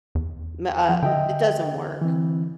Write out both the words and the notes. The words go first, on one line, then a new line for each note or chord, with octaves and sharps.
ma uh, m it doesn't work.
E2
F3
D3 D#5 E5 G5
E3 C4